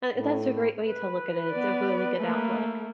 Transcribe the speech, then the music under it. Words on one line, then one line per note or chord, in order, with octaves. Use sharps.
Uh, and that's a great way to look at it, it's a really good outlook.
A2
B4
B3 D5
A3 A#3